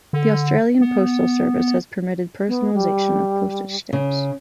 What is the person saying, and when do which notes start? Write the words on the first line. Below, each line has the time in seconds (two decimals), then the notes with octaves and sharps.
The Austrian Postal Service has permitted personalisation of postage stamps.
0.13 D3
0.81 B3
2.48 B3
2.74 G3
3.93 C#3